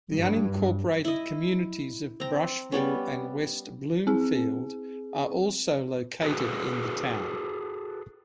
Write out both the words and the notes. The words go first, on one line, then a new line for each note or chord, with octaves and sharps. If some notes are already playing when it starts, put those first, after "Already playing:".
The unincorporated communities of Brushville and West Bloomfield are also located in the town.
G2
E4 D#5
C4 A#5
G3 B3 C#4
C4 G#4
F#4 G#4 A4 B4